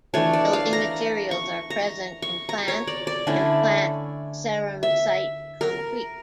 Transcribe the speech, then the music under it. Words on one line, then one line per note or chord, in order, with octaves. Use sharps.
Building materials are present in plant and plant ceramsite concrete.
E3 A3 D4 C#5
D5
F5
A#5
C#6
A#5
C#6
A#5
C#5
D5
D5
D3 A3 C#4 E4
E5
A#4